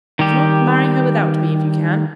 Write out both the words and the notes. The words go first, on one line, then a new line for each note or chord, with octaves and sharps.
If not, marry her without me if you can.
D#3 G3 G4